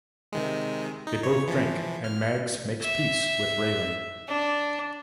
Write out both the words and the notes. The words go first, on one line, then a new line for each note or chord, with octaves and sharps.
They both drink and Mags makes peace with Raylan.
C3 D#3 G#3
D#4
C#5
E3 F3
F6
E5
D4